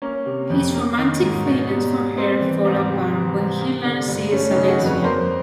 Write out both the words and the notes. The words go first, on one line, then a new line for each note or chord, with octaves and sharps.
His romantic feelings for her fall apart when he learns she is a lesbian.
A#3 C#4
C3
F2
A#3
D#3
G#2
B2
G3
B2
A#3 C4
E3
G#2
C3
E3
C3
A#3
D3
G2
A3 C#4
C#4 D#4
C#3
F#4 G#4
F2
B4 C#5
A#3 A#4 C5